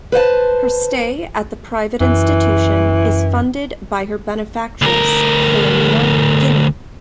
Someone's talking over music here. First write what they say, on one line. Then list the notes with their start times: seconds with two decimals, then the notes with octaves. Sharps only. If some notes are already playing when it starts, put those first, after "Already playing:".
Her stay at the private institution is funded by her benefactress, Philomena Guinea.
0.12 B4 C5 F#5 A5
2.01 F#2 E3
4.82 D2 A#4